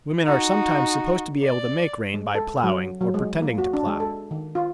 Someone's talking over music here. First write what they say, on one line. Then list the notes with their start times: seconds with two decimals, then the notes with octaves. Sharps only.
Women are sometimes supposed to be able to make rain by ploughing, or pretending to plough.
0.23 D#4 F#4
1.43 D5
2.14 G#3
2.35 A4
2.63 F#3
3.01 F#3
3.14 G#3
3.42 A#3
3.58 F#4
3.73 D4
3.87 G#3
4.00 A4
4.31 D#3
4.55 F4